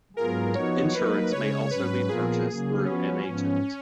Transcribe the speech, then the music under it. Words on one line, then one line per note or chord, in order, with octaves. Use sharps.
Insurance may also be purchased through an agent.
G#2 F#3 B3 F4 G#4 A#4
F3 B3 D#4 F#4 C#5
F#3 A#3 D#4 A#4 B4
C#3 G#3 C#4 C#5
G#2 F#3 C#4 B4
A#2 F3 B3 F4 G#4 A#4
C#3 F#3 A#3
F3 B3 C#4 F#4 B4
G#2 F3 B3